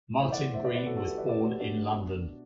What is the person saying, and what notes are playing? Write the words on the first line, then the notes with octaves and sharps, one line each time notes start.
Martyn Green was born in London.
A2 E3 C5 E5
D5 F#5
C5 E5
B4 D5
B4 D5
F#4 A4
F#4 A4
G4 B4
B4 D5
B4 D5
F#4
G4
D4 F#4
B2